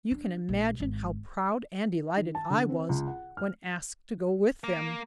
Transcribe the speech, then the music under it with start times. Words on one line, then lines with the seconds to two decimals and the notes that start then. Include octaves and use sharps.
You can imagine how proud and delighted I was when asked to go with them.
0.11 D4
0.49 A#1
0.80 G#1
2.17 D#3
2.35 A5
2.50 D3
2.69 C4
2.89 C#2
3.07 F#5
3.37 F6
4.64 A#3